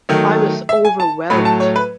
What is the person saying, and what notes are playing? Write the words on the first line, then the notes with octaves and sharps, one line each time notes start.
I was overwhelmed.
D#3 F#3 A3
E5
G#5
A5
A2 F#3 A3 B5
A5
C#5
B4